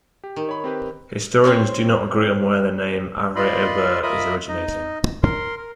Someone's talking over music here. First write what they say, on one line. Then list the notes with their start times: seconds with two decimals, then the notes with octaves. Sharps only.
Historians do not agree on where the name "Havre-Aubert" is originating.
0.24 G4
0.36 D#3
0.49 C#5 B5
0.64 C4 G4 B4
1.44 C4 C#4 C5 C#5
3.36 F4 D5 D#5 B5 C6
4.03 F4 A#4 D#5 E5 B5 D#6
4.48 D#4 D#5
5.23 A#4 C6
5.57 A#4